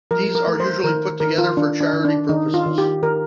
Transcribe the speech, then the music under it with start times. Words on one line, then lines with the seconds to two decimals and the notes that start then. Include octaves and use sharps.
These are usually put together for charity purposes.
0.11 F3 A#4
0.35 A#4
0.47 A3
0.60 C5
0.84 D#3 A#4
1.20 D#3 A#4
1.38 F4
1.57 D#3 D4
1.81 D4
1.93 D#3
2.05 D4
2.29 D#3 D#4
2.54 F4
2.66 D#3
2.78 G4
3.03 D#3 A#4